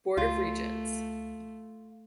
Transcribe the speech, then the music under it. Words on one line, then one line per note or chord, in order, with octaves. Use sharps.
Board of Regents.
C#2 A3 F4